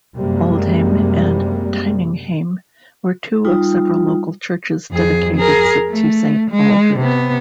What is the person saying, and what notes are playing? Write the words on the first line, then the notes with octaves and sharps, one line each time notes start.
Auldhame and Tyninghame were two of several local churches dedicated to Saint Baldred.
F#2 C3 G3 G#3 A#3
G3 D#4 F4
F2 G#4
G#4 A#4
A3
G#3
C3 B3